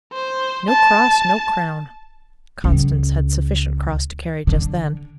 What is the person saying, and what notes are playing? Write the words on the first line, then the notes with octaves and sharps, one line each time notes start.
"No cross, no crown!" Constance had sufficient cross to carry just then.
C5
A5
C#2
D3